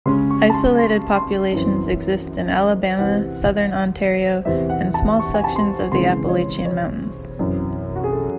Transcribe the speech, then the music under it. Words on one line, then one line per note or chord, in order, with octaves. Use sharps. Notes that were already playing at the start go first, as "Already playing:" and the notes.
Isolated populations exist in Alabama, Southern Ontario, and small sections of the Appalachian Mountains.
C#3 G#3 C#4 C6
C#6
A5
C6
C6
C6
F#2 E3 C4
C3 E3 C4 F#5
E2 C3 E3 C4 E5
F#5
A5
C#6
G#5
A5
C6
C#3 E3 G#3 C4 C6
C#5
C#5
F#2 E3 C4
F#4
G#4
A4